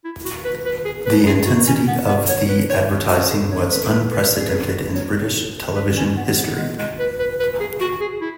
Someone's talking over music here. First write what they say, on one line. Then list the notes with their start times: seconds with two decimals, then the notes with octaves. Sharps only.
The intensity of the advertising was unprecedented in British television history.
0.04 E4
0.25 F#4
0.45 B4
0.66 B4
0.85 G#4
1.06 B4
1.26 G#4
1.46 F#4
1.67 C#4
1.88 B3
2.08 B3
2.29 C#5
2.49 B4
2.70 C#5
3.11 F#4
3.30 G#4
3.52 C#5
3.72 B4
3.92 B4
4.13 B4
4.40 G#4
4.47 B4
4.55 G#4
4.67 B4
4.95 C#5
5.76 B4
5.97 C#4
6.17 B3
6.37 B3
6.58 G#3
6.78 G#3
6.99 B4
7.19 B4
7.40 B4
7.60 G#4
7.81 F#4
8.01 G#4
8.21 E4